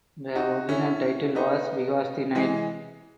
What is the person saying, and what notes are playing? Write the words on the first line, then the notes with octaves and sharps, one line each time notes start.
The original title was "Because the Night".
D#4 F#4
C#4 E4
B3 D#4
E3 G#3